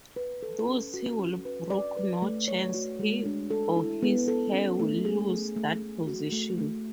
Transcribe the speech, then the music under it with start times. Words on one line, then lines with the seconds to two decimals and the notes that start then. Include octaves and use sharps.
Thus, he will brook no chance he or his heir will lose that position.
0.16 B4
0.43 A4
0.68 C#4
0.94 F#4
1.19 C#4
1.45 B4
1.70 D5
1.97 B4
2.22 A3
2.48 C#5
2.74 F#4
2.99 G#3
3.26 D4
3.50 A4
3.76 E4
4.02 B3
4.28 A4
4.53 C#4
4.79 A3
5.05 G#4
5.30 A3
5.56 A3
5.82 A3
6.07 F#4
6.32 A3
6.58 A3